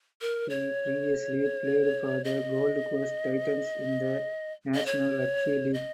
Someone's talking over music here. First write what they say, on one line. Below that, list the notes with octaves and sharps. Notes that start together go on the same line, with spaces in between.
He previously played for the Gold Coast Titans in the National Rugby League.
A#4
C#5
D#5
D#5
C#5
D#5